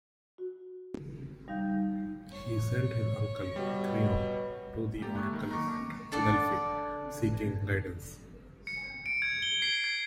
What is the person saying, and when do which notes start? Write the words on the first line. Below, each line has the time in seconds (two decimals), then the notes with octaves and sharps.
He sent his uncle, Creon, to the Oracle at Delphi, seeking guidance.
0.38 F#4
1.48 G3 D#4 F5 G6
2.30 C#5
3.56 B2 G3
5.02 G#3 A#3 G4 A4
5.15 A3 B5 C#6 F#6
5.33 D#3
5.51 D#3 F#3 A#3 A#5 C#6 D6
5.67 A5
6.12 D4 A4 D5 F#5
8.67 C#7
9.06 D7
9.22 G#6
9.42 G7
9.62 C7
9.84 G#6